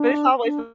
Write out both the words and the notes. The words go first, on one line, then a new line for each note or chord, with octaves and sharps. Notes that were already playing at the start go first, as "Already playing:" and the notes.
But it's always
Already playing: D4
D4